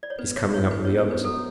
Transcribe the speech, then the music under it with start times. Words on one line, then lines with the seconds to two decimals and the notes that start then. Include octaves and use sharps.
He is coming up with the others.
0.03 D5
0.10 C#5
0.19 B3 B4
0.36 B3 C#5
0.54 E4 C#5
0.71 E4 B4
0.85 B3 C#5
0.98 C#5
1.07 B3 B4
1.24 F#3 A4